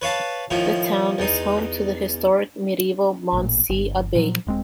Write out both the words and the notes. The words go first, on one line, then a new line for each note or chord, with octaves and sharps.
The town is home to the historic medieval Mondsee Abbey.
B4 C#5 F5 A5
A2 D#3 F3 E4
E2 D#4
A1 A#2
G1
A#2 F3 F#3
D#1 G#3 C4